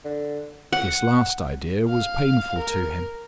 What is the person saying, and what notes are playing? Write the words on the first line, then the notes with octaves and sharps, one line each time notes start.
This last idea was painful to him.
D3
F#5
F5
A#4